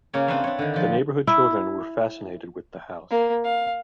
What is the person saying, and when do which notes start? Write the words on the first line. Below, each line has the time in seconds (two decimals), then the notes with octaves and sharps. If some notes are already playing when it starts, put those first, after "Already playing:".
The neighborhood children were fascinated with the house.
0.13 C#3 A#3 C#4 C#5
0.27 C4 D4 B4 C#5 E5 F5
0.44 D4 C#5
0.59 D3 D#3
0.74 F3 G4
1.27 E4
3.11 A#3
3.44 F5